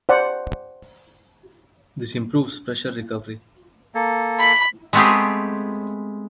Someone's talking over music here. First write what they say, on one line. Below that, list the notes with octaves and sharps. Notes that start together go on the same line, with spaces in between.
This improves pressure recovery.
C5 D5 F#5
A#3 A4
B5
G#3 A3 B3 C4 G4 G#4